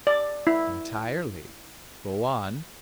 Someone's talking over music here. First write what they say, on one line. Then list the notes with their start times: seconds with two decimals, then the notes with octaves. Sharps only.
"Entirely; go on."
0.07 D5
0.47 E4